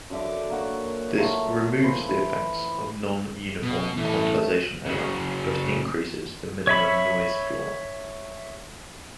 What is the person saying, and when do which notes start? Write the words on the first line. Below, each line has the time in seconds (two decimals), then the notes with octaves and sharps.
This removes the effects of non-uniform quantization error, but increases the minimum noise floor.
0.10 F#2 D3 E5 D6
0.50 A#3 F#4 C#5
1.18 F#3 A3 F4 E5
1.83 E3 C5
2.09 E4
3.63 B2 B3
3.97 A2 E3 A3
4.86 F#2 C#3
6.67 C#5 E5 B5